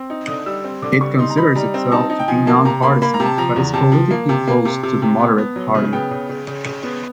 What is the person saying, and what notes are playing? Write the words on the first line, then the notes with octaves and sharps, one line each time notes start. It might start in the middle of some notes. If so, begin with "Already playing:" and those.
It considers itself to be non-partisan, but is politically close to the Moderate Party.
Already playing: C4
D#4
D3 D#6
G3 E6
C4
D3 D6
G3 C#6
D#4 C6
A#5
D#4 B5
G3 A#5
C4
D#4 A5
D#4
G5
F3 G#5
A#3 A5
C3 A#5
A#3 B5
A#3 B5
A#5
C3
A5
F3 A#5
E2
C3 A5
F3
A#3
C3
A#3
C3
C3
C3
B3
B3
F#3
C#3
B3 G5
C#3
C#3
C#3
C#3
B3